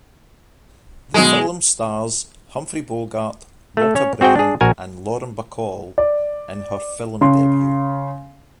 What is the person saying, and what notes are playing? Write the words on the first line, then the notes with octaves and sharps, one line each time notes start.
The film stars Humphrey Bogart, Walter Brennan and Lauren Bacall in her film debut.
B2 F#3 G#3 G#5
A3 A4
C#4 C#5
C4 F#4 G#4 G5
D4 G#4
A#1 F#4 A#4 G#5
D5
C#3 C6